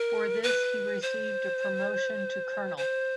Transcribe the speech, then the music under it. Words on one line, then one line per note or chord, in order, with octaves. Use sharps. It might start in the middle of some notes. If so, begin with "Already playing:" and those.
For this he received a promotion to colonel.
Already playing: A#4
B4
C5
C5